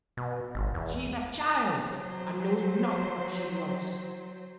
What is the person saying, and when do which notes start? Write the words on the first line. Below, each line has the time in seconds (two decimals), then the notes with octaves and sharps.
She is a child, and knows not what she loves.
0.17 B2
0.55 G#1
0.74 E2
1.88 F#3 C5